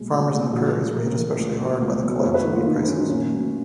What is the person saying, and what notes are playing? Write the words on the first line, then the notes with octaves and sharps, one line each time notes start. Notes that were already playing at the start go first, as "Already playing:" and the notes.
Farmers in the Prairies were hit especially hard by the collapse of wheat prices.
Already playing: B1 A#2 G#3
B1
A#2 G#3
A#1 F#4
A#2 F3 A#3
A#1 A#4
A#2 F3 A#3
C#2
B2 F#3 B3
C#2
B2 F#3 B3
B4
F#2 C#5
B4
D#3 F#3 A#3 F#4
F4
F#2 D#4
D#4
D#3 F#3 A#3 C#4
D#4
A#1 C#4
A#2 F#3